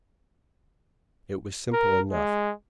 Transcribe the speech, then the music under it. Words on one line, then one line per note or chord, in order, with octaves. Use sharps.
It was simple enough.
A#4
G#3